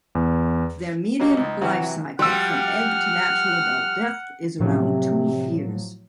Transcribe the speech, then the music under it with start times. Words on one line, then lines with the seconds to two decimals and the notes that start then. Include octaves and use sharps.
Their median life cycle from egg to natural adult death is around two years.
0.15 E2
1.20 F#3 G3 A#3 D#4
1.37 C#2
1.61 C3 E3 F#3 F#4
2.19 F3 G3 F#4 F#5 E6 F6
4.60 A2 C3 F3 F#3